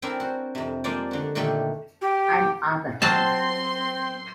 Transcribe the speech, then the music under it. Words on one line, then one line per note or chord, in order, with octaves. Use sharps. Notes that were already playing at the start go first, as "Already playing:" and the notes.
I'm Outta Here!
C4 D4 E4 G#4 A#4 G#5
F#4 C5
F2 C3
F3 G#3 A#3 D4 C5 D5
D3 F#4
A#2 D3 D#3 A3 D4 G4
G4
F#3 C4 F5 A5 C6